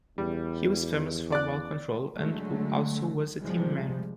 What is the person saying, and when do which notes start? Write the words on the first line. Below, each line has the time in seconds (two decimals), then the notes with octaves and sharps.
He was famous for ball control and also was a team man.
0.18 E2 G3
1.32 D5 F#6
2.17 D3 F#3 G#3 A3
3.39 C3 F3 G3 G#3